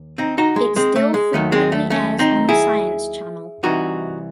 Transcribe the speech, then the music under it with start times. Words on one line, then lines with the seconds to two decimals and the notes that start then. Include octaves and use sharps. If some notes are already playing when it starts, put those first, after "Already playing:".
It still frequently airs on The Science Channel.
Already playing: D#2
0.18 C4 D#4
0.38 D#4 F#4
0.56 G#3
0.76 G#3 C4
0.96 A3
1.14 G#3
1.33 D#2 D#3 F#3 A3
1.52 G#3 C4
1.72 A3
1.90 A3 C#4
2.19 C4 D#4
2.49 E4 G#4
3.63 C2 C3 E3 D#4 F#4